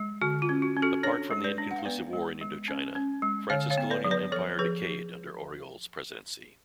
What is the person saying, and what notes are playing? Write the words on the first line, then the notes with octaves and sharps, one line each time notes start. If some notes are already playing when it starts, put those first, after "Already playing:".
Apart from the inconclusive war in Indochina, France's colonial empire decayed under Auriol's presidency.
Already playing: G#3
D3 F#4
F4
C#4
F#4
C#4
F#4 A4
D4 A4 C#5
G#3
B4 D5
D4
F#5
F5
B3 B4 D5
G#3
G#3
C#4
C#4
G#3
D3 C#5 F5
C#5 F5
B3
B4 D5
F#3
B4 D5
F3 A4 C#5
F3 G#4 B4